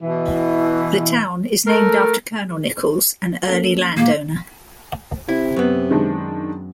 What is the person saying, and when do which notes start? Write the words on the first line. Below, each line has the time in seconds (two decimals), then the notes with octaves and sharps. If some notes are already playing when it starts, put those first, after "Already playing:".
The town is named after Colonel Nichols, an early landowner.
0.02 B2 E3
1.66 A3 A#4
3.48 A#3 C#4 A4
3.97 A#2 G#3 A#3
5.29 C3 E4
5.56 F#2 B3
5.91 D#3 G#3 D4